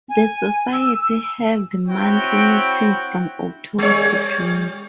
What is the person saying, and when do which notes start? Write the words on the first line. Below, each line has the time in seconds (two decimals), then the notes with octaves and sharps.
The society held monthly meetings from October to June.
0.09 G#5
0.73 E6
1.89 C4 E4 F#4 C#5 G5
3.78 G3 C#5